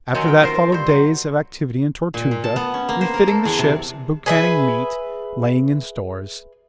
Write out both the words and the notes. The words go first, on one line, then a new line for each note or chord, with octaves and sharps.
After that followed days of activity in Tortuga, refitting the ships, boucanning meat, laying in stores.
D#3 F#3 C4 C#4
G5
F4 A#4 C5
C5
G2 C5
F#3
A#2
A#2
A5
B3
C#4
A#3
C5
A#4
A4
E2
C3
G#4 B4 E5